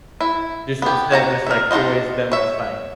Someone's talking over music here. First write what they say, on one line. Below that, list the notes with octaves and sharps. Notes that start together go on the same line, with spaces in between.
Just instead of just, like, always them just, like,
E4
B3 G4
D#3 F#4 F#5 A#5
A#4 E5
D4 D#4 F#4 C5 D#5
C#5 E5